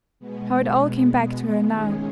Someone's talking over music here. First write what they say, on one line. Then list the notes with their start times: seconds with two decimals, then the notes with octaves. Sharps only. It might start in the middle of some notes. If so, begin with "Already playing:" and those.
How it all came back to her now!
0.19 B2 G#3 B3
1.70 D#3 G#3 C#4 G#4